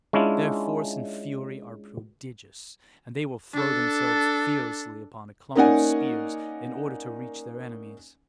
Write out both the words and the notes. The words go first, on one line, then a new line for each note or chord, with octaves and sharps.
Their force and fury are prodigious, and they will throw themselves fearlessly upon a clump of spears in order to reach their enemies.
G#3 C#4 D4 E4 F4
D4 A4
A#3 C#4 D#4 D5 F#5 G#5